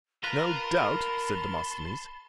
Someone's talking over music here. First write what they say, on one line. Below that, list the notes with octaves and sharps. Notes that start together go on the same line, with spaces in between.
"No doubt," said Demosthenes.
F4 A#4 B4 A5 B5 C6